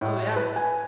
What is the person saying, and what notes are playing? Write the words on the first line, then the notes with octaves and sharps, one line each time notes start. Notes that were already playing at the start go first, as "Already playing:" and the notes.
Oh, yeah.
A2
B4
G#5